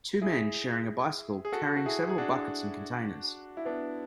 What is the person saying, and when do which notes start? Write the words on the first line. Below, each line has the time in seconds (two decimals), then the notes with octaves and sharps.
Two men sharing a bicycle, carrying several buckets and containers.
0.21 E4 G#4
1.45 G#4
1.52 F#4 A4
1.76 F#4
1.86 E4 G#4
2.09 G#4
2.18 D4 F#4
3.57 E4
3.65 B3 D4